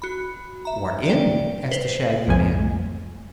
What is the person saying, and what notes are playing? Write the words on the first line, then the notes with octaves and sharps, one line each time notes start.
"What in?" asked the shaggy man.
F#4 B5
E5 A#5
D5 G5
B4 C5
B1 F2 G#5